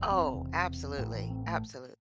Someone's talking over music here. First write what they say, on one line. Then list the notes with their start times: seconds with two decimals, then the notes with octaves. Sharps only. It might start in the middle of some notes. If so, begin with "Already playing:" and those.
Oh, absolutely, absolutely.
Already playing: F#1 E2
0.11 C4
0.33 E1 E2 C3
0.97 A1 A2 A3
1.14 E3
1.30 C4
1.46 A3